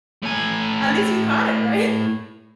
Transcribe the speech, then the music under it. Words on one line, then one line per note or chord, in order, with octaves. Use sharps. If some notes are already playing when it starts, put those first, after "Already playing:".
At least you caught it. Right?
A2 G#5